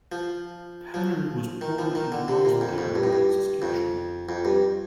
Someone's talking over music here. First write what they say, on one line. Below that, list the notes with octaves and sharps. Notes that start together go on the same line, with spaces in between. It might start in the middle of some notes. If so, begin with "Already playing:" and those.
Penner was born in Rosthern, Saskatchewan.
F3
F3
D#3
F3
D#3
D3
C3
A#2
F2
F2
G2
A2
G2
F2
F2
G2